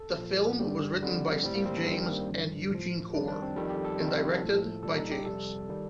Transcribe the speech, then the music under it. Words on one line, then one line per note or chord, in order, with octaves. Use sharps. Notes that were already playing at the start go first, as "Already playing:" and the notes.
The film was written by Steve James and Eugene Corr, and directed by James.
Already playing: A4
A#2 F3
G2 D3 G3 G4
F2 D3 G3
A2 G3 C4
A#3
C4
D4
G2 D#3 G3 C4
C4
A#3
G2 D3 F3
A2 F3
F2 D#3 G3 D4
D4
C4
F2 D#3 G3 A4
G4
A4
F2 C3 D#3 G3
A2 F3
A#2 G3 A4
D#4
G4
F2 C3 G3 A4
D#3 G3